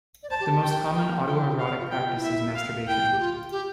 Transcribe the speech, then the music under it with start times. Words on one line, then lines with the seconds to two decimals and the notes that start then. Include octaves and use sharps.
The most common autoerotic practice is masturbation.
0.23 D5
0.30 C5 A5
0.40 G4
0.52 G4
0.62 G5
0.94 G5
1.26 F4 G5
1.37 E4
1.48 F4
1.59 G4 F5
1.69 D5
1.79 F4
1.91 F4 G5
1.99 G4
2.07 F4
2.15 E4
2.23 E5
2.55 F5
2.87 E4 G5
3.12 G4
3.19 F4
3.52 G4